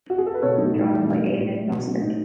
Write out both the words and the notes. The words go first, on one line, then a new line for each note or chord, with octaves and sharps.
Drawn by David Mostyn.
F#4
G#4
A4
B4
B2 A4 C#5
F#3 A3 D#4
A2 D#4
E3 A3
B2
G#3
A2
G#3
B2
F#3 A3
A2 D#4